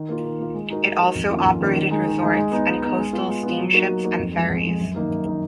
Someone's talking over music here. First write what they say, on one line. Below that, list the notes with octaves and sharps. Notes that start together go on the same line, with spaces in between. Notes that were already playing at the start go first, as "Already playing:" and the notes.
It also operated resorts and coastal steamships and ferries.
Already playing: D#3
A#3 F4
D#3
A#3 F4
G#3
D#4 F#4 A#4
G#3
D#4 F#4 A#4
F2
D#3 A#3 C#4 F4
F2
D#3 A#3 C#4 F4
D#3
G#3 D#4
D#3
G#3 D#4
G#3
B3 D#4
G#3
B3 D#4
G#3
B3 F4
G#3
B3 F4
F#3
A#3 D#4 F#4 A#4
F#3
A#3 D#4 F#4 A#4
F2
F3 G#3
F2
F3 G#3
F#2
D#3 A#3 D#4
F#2
D#3 A#3 D#4